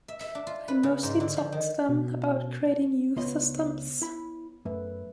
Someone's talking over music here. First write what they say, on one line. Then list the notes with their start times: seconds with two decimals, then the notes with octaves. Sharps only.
I mostly talked to them about creating youth systems.
0.08 E5
0.21 E5
0.35 D4
0.47 F4
0.68 B4
0.83 C#3
1.03 G#2
1.20 D3
1.36 F3
1.52 D#3
1.89 B2
3.17 C#2 B3 F4 C#5 D#5
4.02 E4 B5
4.65 F#2 A3 B4 E5